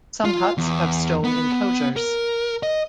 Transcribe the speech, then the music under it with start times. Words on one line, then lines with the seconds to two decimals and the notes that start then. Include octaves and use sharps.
Some huts have stone enclosures.
0.25 F4
0.58 E2
1.24 B3
1.96 A#4
2.63 D#5